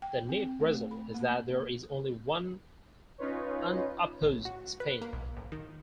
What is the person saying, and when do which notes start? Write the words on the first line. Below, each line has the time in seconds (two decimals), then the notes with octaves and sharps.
The net result is that there is only one unopposed spin.
0.02 G5
0.29 C4
0.60 A3
0.91 B5
1.14 A#3
3.18 C#4 D#4 F4 B4 C#5
4.22 A1
4.45 F#4
4.80 B4
5.02 A#3
5.13 B1
5.37 A1
5.52 D#3